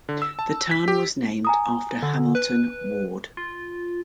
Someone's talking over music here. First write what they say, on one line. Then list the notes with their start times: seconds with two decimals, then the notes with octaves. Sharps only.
The town was named after Hamilton Ward.
0.09 D3
0.22 E6
0.39 A5
0.71 B6
0.88 G4
1.45 G#5 A#5 D#6
2.03 D3
2.35 B4
3.37 F4